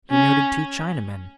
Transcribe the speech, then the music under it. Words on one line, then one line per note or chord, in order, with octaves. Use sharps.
He noted two Chinamen.
C#4